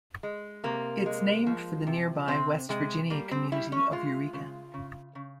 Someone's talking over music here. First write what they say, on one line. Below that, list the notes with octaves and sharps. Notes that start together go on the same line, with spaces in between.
It's named for the nearby West Virginia community of Eureka.
G#3
C3 A#3
G#3
F3
C3
C3 C4
C3 G#3
G3 A#3
C4
G3 E4
C#4
G#3 F4
C#3
C#3
C#3